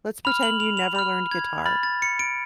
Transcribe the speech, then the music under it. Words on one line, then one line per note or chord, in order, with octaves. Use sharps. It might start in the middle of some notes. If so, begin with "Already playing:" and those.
let's pretend you never learned guitar,
B5 F6 F7
F#7
F7
F7
B5 F6 F7
G#6
B5 F6 A6
A6
C#7
D7